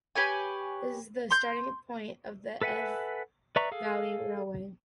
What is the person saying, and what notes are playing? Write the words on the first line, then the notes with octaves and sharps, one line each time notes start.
This is the starting point of the Elz Valley Railway.
G4 B4 C#5 G#5
C6 G6
A4 B4 E5 F#5 G#5
B4 D5 E5 A#5 C#6
G#4 A4 F5